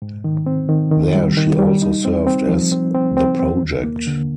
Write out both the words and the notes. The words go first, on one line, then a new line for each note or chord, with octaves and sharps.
There she also served as the project.
G#2
D#3
C4
D#3
D#3
G3
D#3
G3
D#4
C4
C4
F3
C4
C4
C4
C4
D#2
A#3
D3